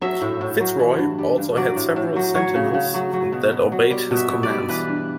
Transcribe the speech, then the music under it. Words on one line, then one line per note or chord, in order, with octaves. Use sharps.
Fitzroy also had several Sentinels that obeyed his commands.
F#3 E5
A2
A2
F#3
E3
G2
G3
G2
F#3 D5
A2
A2
F#3
F#3 C#5
C#3
C#3
F#3
F#3
B2
B2
F#3
G3
B2
E5
B2
D5
G3
E3 B4
G2